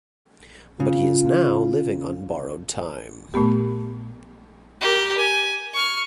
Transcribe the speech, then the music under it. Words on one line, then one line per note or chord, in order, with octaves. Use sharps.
But he is now living on borrowed time.
C#3 F4
A#2 A3 B3 G4
G4 A#4
G#5
C#6 F6